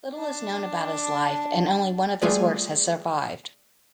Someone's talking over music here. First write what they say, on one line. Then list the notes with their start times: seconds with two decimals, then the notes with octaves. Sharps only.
Little is known about his life and only one of his works has survived.
0.14 D4 A5
2.22 G3 A3 F4 G#4 B4 D5